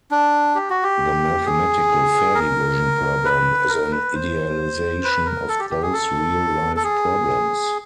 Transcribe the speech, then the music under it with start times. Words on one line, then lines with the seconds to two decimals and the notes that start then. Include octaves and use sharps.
The mathematical fair division problem is an idealization of those real life problems.
0.11 D4
0.55 G4
0.70 F#4
0.83 G4
1.46 G#4
2.35 A#4
3.25 B4
3.69 A#4
3.91 B4
4.14 C5
5.04 B4
5.25 A#4
5.49 A4
5.59 G4
5.70 G4
5.82 G#4
5.93 A4
6.76 A4
6.84 G#4